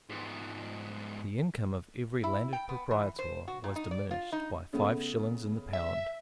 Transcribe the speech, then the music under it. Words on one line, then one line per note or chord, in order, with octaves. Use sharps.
The income of every landed proprietor was diminished by five shillings in the pound.
G#2 B3
E4
G5
B3
E3
C5
F#4
A#2
D#4
D5
F4
D#4
C#3 A3 B3
E5